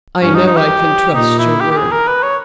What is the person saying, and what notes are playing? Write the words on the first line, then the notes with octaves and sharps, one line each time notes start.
"I know I can trust your word."
G2 C#4
D#4
D#4
G4
A#2 D#4
E4
G4
G4
G#4
A#4
B4
C#5